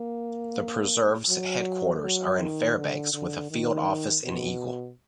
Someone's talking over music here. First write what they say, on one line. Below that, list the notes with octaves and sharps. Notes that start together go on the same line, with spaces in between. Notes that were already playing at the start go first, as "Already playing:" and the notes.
The preserve's headquarters are in Fairbanks with a field office in Eagle.
Already playing: A#3
F#3
F#3
D#3
D3
D3
D#3
B2